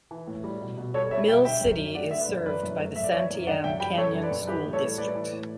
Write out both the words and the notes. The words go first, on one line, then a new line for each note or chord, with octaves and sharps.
Mill City is served by the Santiam Canyon School District.
E3
A2
G3
B2
B2
G3 A4 C#5
G3 C#5 E5
B2 E5 G5
D3 E5 G5
F#2
F#3
A3 D5 F#5
D3 E5
B4 D5
F#2
E3 B4 D5
F#2
A3
F#2 E5
D5
E3 C#5 E5
F#2
D3 D5 F#5
F#2 E5 G5
G3 G5 B5
F#2 A4 C#5
D3
B4 D5
F#2
E3 G4 B4
A2
A4 C#5
G3
A2 B4 D5
E3
A2